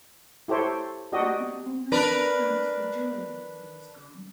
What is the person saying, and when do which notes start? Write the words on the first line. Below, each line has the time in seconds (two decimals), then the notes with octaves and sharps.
I could almost have jumped for joy when he was gone.
0.48 E4 G4 A4 C5 C#5
1.12 D4 F#4 G4 D#5
1.92 D4 A#4 B4